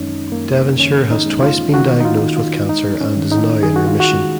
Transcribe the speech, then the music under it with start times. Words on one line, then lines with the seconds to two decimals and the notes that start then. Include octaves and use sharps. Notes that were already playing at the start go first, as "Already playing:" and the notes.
Devonshire has twice been diagnosed with cancer and is now in remission.
Already playing: F#2 D#3 G#3 C#4 D#4
0.32 F#2 A#3
0.79 D#3 C#4
1.11 D#4
1.26 G#3
1.43 F4
1.74 D#3 F#4
2.00 D#4
2.05 F4
2.22 D#3
2.37 F4
2.69 G#3 D#4
3.01 C#4
3.16 D#3
3.32 D#4
3.63 D#3 G#4
3.76 F#4
3.87 F4
4.00 F#4
4.11 G#3